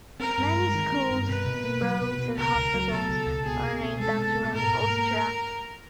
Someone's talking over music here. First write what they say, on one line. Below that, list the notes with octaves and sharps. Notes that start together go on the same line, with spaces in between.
Many schools, roads and hospitals are named after him in Austria.
C4 A#4
G2
G#3
D#3
C4
G2
B2 B4
B2
A#3
F#3
B2
B2
C#2 A#4
C#2
F#3
B2 A4
C#2
C#2
B2 G#4
B2
C4
G#3 A4
B2
B2
G#2 A#4
G#2
A#3